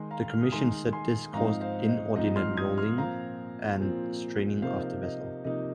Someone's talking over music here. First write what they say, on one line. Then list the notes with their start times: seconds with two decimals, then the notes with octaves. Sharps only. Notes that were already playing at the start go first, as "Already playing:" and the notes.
The commission said this caused inordinate rolling and straining of the vessel.
Already playing: D#3 G#3 D#4 G#5 C6
0.11 F5 A#5
0.30 F6
0.41 D#6
0.52 D#3 G#3 D#4 G#5 C6
0.93 G#5 C6
1.33 G#2 F3 C4 D#4 F5 A#5
1.61 C5 F5
1.89 D#5
2.15 G#2 F3 C4 D#4 D#5
2.36 C6 F6
2.57 D#6 G#6
2.78 C6 F6
2.98 A#2 F3 C4 F5 A#5
3.80 A#2 F3 C4
4.62 C3 F3 A#3 D#4 C5 F5
4.82 C5 F5
5.02 D#5
5.44 C3 F3 A#3 D#4 D#5